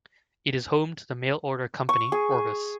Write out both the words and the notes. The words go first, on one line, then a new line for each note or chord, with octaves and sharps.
It is home to the mail-order company Orvis.
C#6
G#4